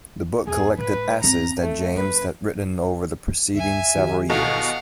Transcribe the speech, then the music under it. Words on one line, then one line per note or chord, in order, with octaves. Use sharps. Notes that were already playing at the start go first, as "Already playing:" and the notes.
The book collected essays that James had written over the preceding several years.
E2 G#4
A2 G#3 B4
G#2 C4 A#5
A3
F#1 B4
D2 E5 G#5
D#3 F#4 G4
E2 B2 A4 F5 F#5